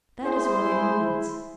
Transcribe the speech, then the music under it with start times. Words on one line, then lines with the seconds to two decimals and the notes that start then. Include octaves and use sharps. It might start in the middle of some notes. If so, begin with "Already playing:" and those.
That is what it means.
0.23 E4 G#4 C5